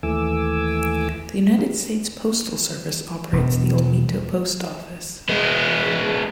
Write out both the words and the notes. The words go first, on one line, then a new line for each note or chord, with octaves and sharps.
The United States Postal Service operates the Olmito Post Office.
D#2 E3 A3 G#5 D6 E6
E1
G#3 B3